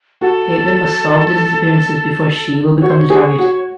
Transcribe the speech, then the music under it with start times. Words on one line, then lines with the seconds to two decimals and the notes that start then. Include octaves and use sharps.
Caitlin must solve the disappearances before she will become the target.
0.21 F#4 A4
2.82 F#4 C#5
2.90 C5
2.97 C#5
3.10 G#4
3.39 F#4